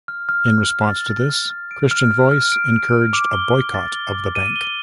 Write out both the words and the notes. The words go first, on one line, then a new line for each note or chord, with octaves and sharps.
In response to this, Christian Voice encouraged a boycott of the bank.
F6
F6
F6
F6
A6
A6
F6
F6
D7
F6
F6
F6
D7
D7
F6
D6
G7
D6
A6
G7
D6
D#7
G7